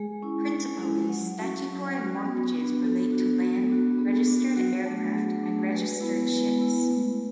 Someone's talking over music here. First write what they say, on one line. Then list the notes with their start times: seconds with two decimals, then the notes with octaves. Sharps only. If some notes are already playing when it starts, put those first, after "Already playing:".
Principally, statutory mortgages relate to land, registered aircraft and registered ships.
Already playing: G#3 G#4
0.23 C#4 E4
0.51 G#3
0.80 C#4 E4
1.09 F#3
1.39 C#4 F#4
1.68 F#3
1.96 C#4 F#4
2.24 B3
2.54 D4 F#4
2.83 B3 A4
3.12 D4 F#4
3.41 B3
3.69 D4 F#4
3.98 B3 G#4
4.28 D4 F#4
4.56 F#3 F#4
4.86 A3 D4
5.13 F#3 G#4
5.43 A3 D4
5.72 G#3 B4
6.00 B3 E4 B4
6.30 G#3
6.58 B3 E4
6.88 A3